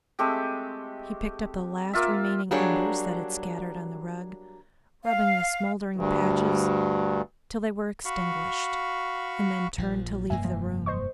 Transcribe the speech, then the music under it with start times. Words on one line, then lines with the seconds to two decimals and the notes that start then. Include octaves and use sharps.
He picked up the last remaining embers that had scattered on the rug, rubbing the smouldering patches till they were extinguished, and then turned to leave the room.
0.19 G#3 A3 C4 G4
1.93 A#3 F4 E5
2.51 F#3 G3 A#3 D4 G#4 C#5
5.04 F5
5.96 D2 G2
8.05 F#4 F5 B5 C#6
9.78 A#1 F3
10.30 F1 G2 A#3 E5 G#5
10.45 F3
10.86 C5 D#5 C#6